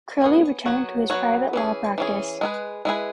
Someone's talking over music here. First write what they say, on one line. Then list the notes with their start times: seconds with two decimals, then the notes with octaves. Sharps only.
Curley returned to his private law practice.
0.22 B3 G#4 C#5
0.66 F#3 B3 F#4 C#5
1.10 F#3 B3 F#4 C#5
1.53 E3 C#4 G#4
1.98 E3 C#4 G#4
2.41 G#3 E4 G#4 B4
2.85 G#3 E4 G#4 B4